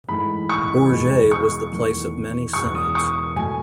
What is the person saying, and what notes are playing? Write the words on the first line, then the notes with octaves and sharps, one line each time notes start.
Bourges was the place of many synods.
G#2 E3 A3 B5
C#6
E2 B2 G#3
C#6
E2 D#3 A3
E2 B2 G#3 C#6
D#6
C#6
B2 A3 G#5